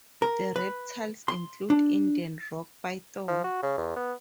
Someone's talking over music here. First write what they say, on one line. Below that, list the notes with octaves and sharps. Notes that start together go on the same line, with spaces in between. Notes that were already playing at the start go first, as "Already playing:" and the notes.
The reptiles include Indian rock python.
A#4
B4
C6
D4
F3
F#4
C#3
E2
B3